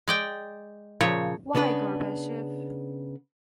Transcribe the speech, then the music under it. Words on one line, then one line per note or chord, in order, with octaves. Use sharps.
Why Gorbachev?
G#3 D5 G5
A#2 C#3 F3 C#5
C#3 B3 D4 B4